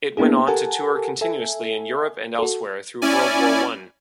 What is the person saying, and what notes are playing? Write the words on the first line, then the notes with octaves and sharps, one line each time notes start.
It went on to tour continuously in Europe and elsewhere through World War One.
A#3 B3 D4 E4 G#4
G4 A4 A#4 F#5 G#5 A5
A4 E5 G#5
F#4 A4
C#4 E4 D5 G#5